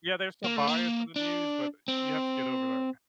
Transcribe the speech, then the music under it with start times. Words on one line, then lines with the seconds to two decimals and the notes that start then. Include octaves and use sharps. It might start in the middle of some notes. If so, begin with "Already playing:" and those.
Yeah, there's some bias in the news, but you have to get over that.
0.44 A#3
0.56 A3
0.67 A#3
1.16 D4
1.88 C4